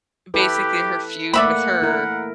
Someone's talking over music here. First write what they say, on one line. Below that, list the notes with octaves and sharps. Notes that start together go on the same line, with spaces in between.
basically her feud with her
E4 G4 A4 B4
A3 A#3 D5 E5 F#5 B5
E4 A#4